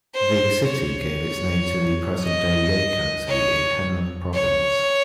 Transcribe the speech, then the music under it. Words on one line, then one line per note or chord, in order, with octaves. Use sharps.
The city gave its name to the present-day Ye County in Henan Province.
C5
C#5
D#5
C#5
C#5